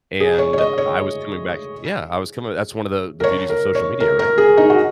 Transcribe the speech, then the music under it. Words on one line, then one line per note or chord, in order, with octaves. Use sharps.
and I was coming back Yeah. I was coming that's one of the the beauties of social media, right?
G#4
C#5
C#5
D#5
C#5
A#4
C#5
A#4
C#5
A#4
A#4
G#4
D#4
F#4